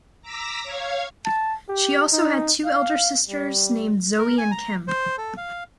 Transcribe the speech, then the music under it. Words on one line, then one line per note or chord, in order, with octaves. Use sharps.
She also had two elder sisters named Zoe and Kim.
A#5 D6 E6 A#6 B6
C#5 F5 G#6
A5
G4
D#4
F5
G3
A#4
G#5
A#5
C5
A4
F5